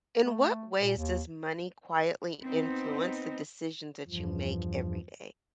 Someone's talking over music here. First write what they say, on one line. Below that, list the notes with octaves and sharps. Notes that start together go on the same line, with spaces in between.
in what ways does money quietly influence the decisions that you make every day?
A3
A#2
D#2
B3 C4 D#4
E2 G2 F3